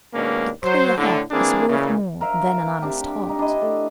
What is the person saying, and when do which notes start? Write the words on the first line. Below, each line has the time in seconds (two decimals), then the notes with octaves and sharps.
A clear head is worth more than an honest heart.
0.14 D#2 B2 G#3 A#3 C#4 D4
0.62 F#3 C5
0.98 A2 D3
1.31 E3 A#3 C4 D4 G#4
1.68 A#2 C#3 E3
2.21 A#4 C5 E5 F5
2.81 C3 D4 G4 F5
3.26 D#4 G4
3.39 D4 E4 D#5
3.62 A3